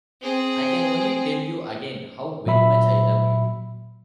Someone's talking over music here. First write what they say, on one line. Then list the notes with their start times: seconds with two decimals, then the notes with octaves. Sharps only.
I can only tell you again, "how very much" I love you.
0.21 C4 G#4
2.46 A#2 F#3 E5 B5